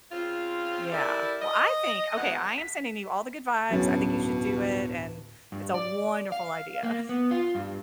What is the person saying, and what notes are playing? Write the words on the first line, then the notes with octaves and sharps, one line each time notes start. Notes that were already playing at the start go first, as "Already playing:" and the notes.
Yeah, well, I think okay, I am sending you all the good vibes, I think you should do it, and it's a wonderful idea.
C#3 C4 F4
G3 E4 A4 A#4 D5
D#5
D2 E3 G#3 B3 F#5
B6
D1 G2 B2 F#3 C#4 A6
G2
D5
F5
A#3
B3
F4
G2